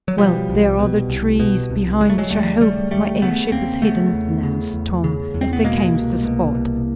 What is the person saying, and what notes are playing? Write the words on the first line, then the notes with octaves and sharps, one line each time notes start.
"Well, there are the trees behind which I hope my airship is hidden," announced Tom, as they came to the spot.
F#3
B2 F3 G3
C2
B2
C2
B2
C2
C#3 G#3
A3
F#3 G#3
D#2 G3 A3
C#3 G3 A3
D#2 G3 A3
C#3 A3 B3
D#2 A#3 C4
C#3 A3 B3
E2
C#3
E2
C#3
E2
C4
B3
B2 G#3 A#3
C2
B2
C2